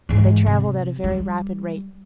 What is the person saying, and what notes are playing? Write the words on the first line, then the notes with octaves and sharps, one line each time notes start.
But they travelled at a very rapid rate.
G#2 E3
C3
G3